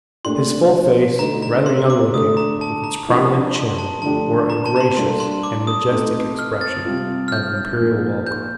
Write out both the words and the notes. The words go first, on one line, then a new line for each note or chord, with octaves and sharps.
His full face, rather young-looking, with its prominent chin, wore a gracious and majestic expression of imperial welcome.
A#2 A3 D4 G4 C6
D3 A3 D#4 A#5
A#5
C6
D6
D3 A3 D4 A4 D#6
A#5
A5
A#5
C3 F3 A#3 D4 G4
C6
A5
D3 F3 A3 D4 G4 A5
A#5
A5
A#5
C6
G3 A#3 D4 A4 C6
C6
D6
D#6
A3 C4 D#4 A4
F6
A6
C3 G3 C4 F4
F6
G6
A#2 F3 A#3
G6